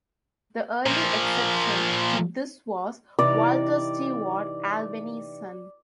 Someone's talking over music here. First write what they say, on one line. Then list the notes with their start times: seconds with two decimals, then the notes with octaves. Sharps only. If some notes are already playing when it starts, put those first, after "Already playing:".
The early exception to this was Walter Stewart, Albany's son.
0.86 A#2 F3
3.19 C3 E3 D#4 D5